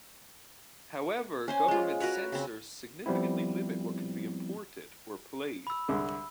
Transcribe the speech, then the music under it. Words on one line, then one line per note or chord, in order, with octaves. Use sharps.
However, government censors significantly limit what can be imported, or played.
C#4 C5 G#5
G#3 F4
F#4 A#4 B4 C#5
C#3 C4
F3 G3 B3 C4 E4
B5 E6
C2 D3 G#3